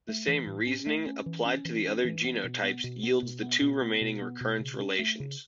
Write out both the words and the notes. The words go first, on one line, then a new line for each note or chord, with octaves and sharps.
The same reasoning, applied to the other genotypes yields the two remaining recurrence relations.
A3
E3
A2
C#4
A3
C#4
E3
C#4
E3
C#4
E3
B3
B2
B3
B2
B3
B2
B3
B2
B3
B2
B3
B2
C#3
C#4
A3
C#3